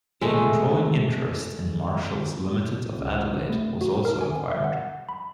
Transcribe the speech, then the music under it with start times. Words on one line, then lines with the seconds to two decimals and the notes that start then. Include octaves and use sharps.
A controlling interest in Marshall's Limited of Adelaide was also acquired.
0.21 G#3 A3
2.97 C#2
3.50 A3
3.81 F#4
4.05 A#4
4.21 G#5
4.50 E5
4.64 F#5
5.09 B5